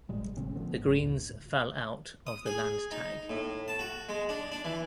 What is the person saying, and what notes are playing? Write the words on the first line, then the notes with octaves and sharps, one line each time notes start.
The Greens fell out of the Landtag.
G#1 A2 G3 G#3
G#1 C#3 C4 C#4
D3 F3 A3 B3
G1 G#2
D2 A2 D3
D#6
G#4
D#4
A2
A5
F#4
G#3
D4
D4
E3